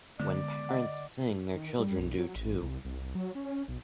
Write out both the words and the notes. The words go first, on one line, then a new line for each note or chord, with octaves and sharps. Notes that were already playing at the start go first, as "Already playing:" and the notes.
When parents sing, their children do too.
D3 G#3 B3 D5
D#5 F#5
D#3
G3
B1
F#3
A1
C2
C2
F#3
C#4
B1